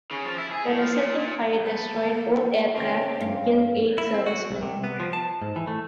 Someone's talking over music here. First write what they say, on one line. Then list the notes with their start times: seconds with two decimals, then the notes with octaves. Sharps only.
The resulting fire destroyed both aircraft and killed eight servicemen.
0.11 C#3
0.25 F3
0.38 E4
0.51 G#4
0.65 A2
0.79 F3
0.94 A#2
1.19 A#2
1.66 A#3 B3 A4
2.75 C#3 C4 C#4 G4 A#4 C5
3.21 G2 F5
3.98 E4
4.14 C4
4.26 F#4
4.51 C2
4.62 C3
4.84 B3
5.00 F3
5.13 A5
5.42 G#2
5.56 E3
5.67 A3